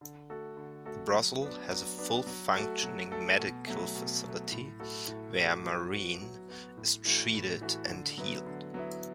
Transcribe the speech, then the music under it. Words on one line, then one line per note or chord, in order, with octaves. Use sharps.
Her brothel has a fully functioning medical facility, where Maureen is treated and healed.
D3
A3 F#4 A4
D3
A3 F#4 A4
F#3
B3 D4
F#3
B3 D4
F#3
A3 F#4 A4
F#3
A3 F#4 A4
B2
F#3 A3
B2
F#3 A3
A2
A3 F#4 A4
A2
A3 F#4 A4
F#3
B3 F#4
F#3
B3 F#4
A2
E3 A3 F#4
A2
E3 A3 F#4
D3
F#3 B3 E4
D3
F#3 B3 E4